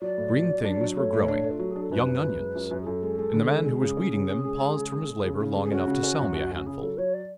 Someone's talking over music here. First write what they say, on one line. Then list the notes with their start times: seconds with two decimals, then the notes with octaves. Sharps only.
Green things were growing--young onions--and the man who was weeding them paused from his labour long enough to sell me a handful.
0.01 F#3 D5
0.18 A2
0.33 F#3
0.49 F#3
0.65 D4
0.81 F#3
0.96 A3 C#5
1.13 A2
1.28 D4
1.44 A3
1.50 F4
1.59 F#3 F#4
1.71 D4 G#4
1.82 A4
1.92 F#2 B4
2.07 F#2
2.23 F#2
2.39 G#3
2.55 F#2
2.71 F#2
2.81 G#4
2.86 F#2 A4
3.03 G#3
3.18 G#3
3.34 D3
3.50 G#3
3.66 G#3
3.81 C#3 G#4
3.97 C#4
4.13 C#3
4.30 C#4
4.45 G#3
4.61 G#3
4.77 C#3
4.92 G#3
5.08 G#3
5.25 C#3
5.40 C#3
5.56 G#3
5.64 G#4
5.71 C#4 F#4
5.88 C#3
6.03 C#4
6.19 F#2
6.35 F#2
6.51 C#4 F#4
6.66 C#3 G#4
6.82 F#3 A4
6.98 F#3 C#5
7.14 D5